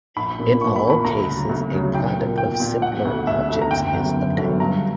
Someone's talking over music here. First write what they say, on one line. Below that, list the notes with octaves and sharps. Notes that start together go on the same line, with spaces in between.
In all cases, a product of simpler objects is obtained.
A#1 B5
A#2 A#3
A#1 C#6
B5
A#2
A#3 B5
D2 A#5
C#3 F#3
D2
C#3 F#3
B1 G5
A#2 A#3
B1 G5
A#2 A#3
E1 F#5
D2 D3
E1 E5
D2 D3
A#5
F#1 G5
F#2 D3 F#3 B3
F#1
F#2 D3 F#3 B3
G2 A#5